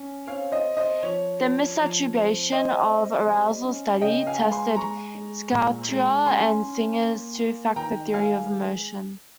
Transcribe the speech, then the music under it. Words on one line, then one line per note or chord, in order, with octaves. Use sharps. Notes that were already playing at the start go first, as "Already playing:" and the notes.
The misattribution of arousal study tested Schachter and Singer's two-factor theory of emotion.
Already playing: C#4
C4 C#5 F5
C5 D#5
C4
C5 D#5
F3 C#5
F3
F3
C4
C4 C5 D#5
C4
G3
C#4
C#3 D#5 G5
F5 G#5
G#3
G#5 C6
G#3 A#5 C#6
G#3
A#2
G#3
C#4 G#5 C6
C#4
A#3
A#3
D#3 G5 A#5
G#3 F5 G#5